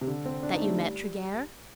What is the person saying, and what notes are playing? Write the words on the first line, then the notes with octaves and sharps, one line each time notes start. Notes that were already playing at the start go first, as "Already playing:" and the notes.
"That you met Tregear?"
C3
D3
C4
D4
D#4
A3
G3